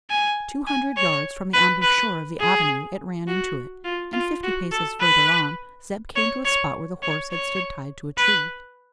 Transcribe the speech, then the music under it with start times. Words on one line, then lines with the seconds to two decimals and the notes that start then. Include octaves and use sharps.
Two hundred yards from the embouchure of the avenue, it ran into it; and fifty paces further on Zeb came to a spot where the horse had stood tied to a tree.
0.10 G#5
0.67 G#5
0.97 C#5
1.54 B4
1.82 B4
2.40 G#4
3.28 F#4
3.85 F4
4.13 F4
4.43 F#4
4.72 A4
5.01 B4
6.16 C#5
6.45 C#5
7.03 C#5
7.32 C#5
8.18 B4